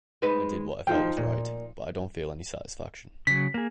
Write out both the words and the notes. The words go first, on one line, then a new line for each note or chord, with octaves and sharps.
I did what I felt was right, but I don't feel any satisfaction.
G#3 D#4 B4
F3 D#4 F4 G5
A#2
C#3 F#3 B6
A#3 G#4